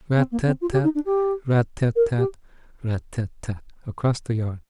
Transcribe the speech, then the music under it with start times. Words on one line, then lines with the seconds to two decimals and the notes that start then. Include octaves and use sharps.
'RAT--tat-tat, RAT--tat-tat, RAT--tat-tat,' across the yard.
0.17 C4
0.31 A#3
0.46 C4
0.61 F4
0.72 G4
0.83 D#4
0.94 D4
1.05 G4
1.95 A#4
2.17 G4